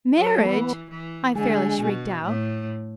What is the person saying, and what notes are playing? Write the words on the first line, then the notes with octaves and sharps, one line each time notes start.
"Marriage!" I fairly shrieked out.
F#3
A3
E3 B3
E3
D3 G#3
B2
A2